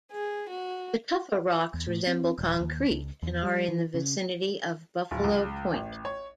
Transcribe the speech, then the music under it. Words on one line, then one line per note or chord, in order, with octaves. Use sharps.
The tufa rocks resemble concrete and are in the vicinity of Buffalo Point.
G#4
F#4
E2
A2
C4
D#1
D#2
C#2
E2
G3
E3
C#3
D1
C#2
A1
C#5